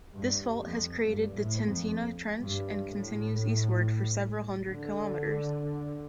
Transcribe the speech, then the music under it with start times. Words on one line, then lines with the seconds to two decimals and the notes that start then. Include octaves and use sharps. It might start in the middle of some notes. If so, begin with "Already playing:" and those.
This fault has created the Tintina Trench and continues eastward for several hundred kilometres.
0.13 G2
0.58 F2
1.04 G2
1.34 A2
1.65 F2
2.40 G2
2.86 A2
4.66 D3